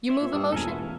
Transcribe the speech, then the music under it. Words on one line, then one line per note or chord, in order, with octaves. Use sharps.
You move a motion?
C5 C#5 E5
A#2
G2 G5 D#6 E6
E1 A#2 A4 A#4 G#5 A5
E4 F#4 B4
A1 F5